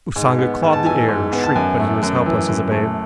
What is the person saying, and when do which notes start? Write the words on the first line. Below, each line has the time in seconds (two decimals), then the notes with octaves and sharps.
Usanga clawed the air and shrieked but he was helpless as a babe.
0.16 G#2
0.39 B3
0.62 G#2
0.73 A5
0.85 E3 G#5
1.08 G#2
1.33 B3
1.44 A5
1.56 F#2 G#5
1.79 A3
2.03 F#2
2.26 E3
2.48 F#2
2.72 A3